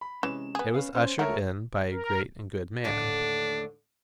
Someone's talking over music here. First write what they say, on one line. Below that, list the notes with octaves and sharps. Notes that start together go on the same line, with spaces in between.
It was ushered in by a great and good man.
B5
C3 E3 G#3 C#4 E7
B3 G#4
C#4 B4 F5
C#4 C5
G#3 A3 A#4 C#5 E5 F#5
A#4
D#2 A2 D3 D4